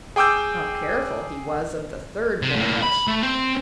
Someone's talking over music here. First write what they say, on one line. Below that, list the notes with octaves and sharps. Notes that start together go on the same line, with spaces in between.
How careful he was of the third bulrush!
G#4 G5 D6 E6 G6
C3
A2 A#3
B5
A3
C4